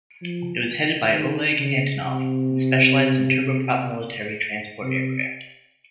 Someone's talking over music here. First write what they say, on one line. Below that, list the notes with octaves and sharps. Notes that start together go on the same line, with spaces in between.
It was headed by Oleg Antonov and specialised in turboprop military transport aircraft.
F3
D#3
C#3
C3
C3